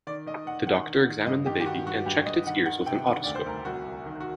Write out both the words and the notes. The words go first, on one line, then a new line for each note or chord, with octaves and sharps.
The doctor examined the baby and checked its ears with an otoscope.
D#3 D5
D#3 D#5
D#3 F#5
D#3 F#5
D#3
D#3
G2 D#5
D#3 G4
G4
D#3 F#4
G2 F#4
G2 G4
G2 D#5
D#3 F#5
D#3 F#5
C3 G5
D#3 F#5
D2 D5
C5
D2 A#4
C2 F#4
C2
D#3
F#4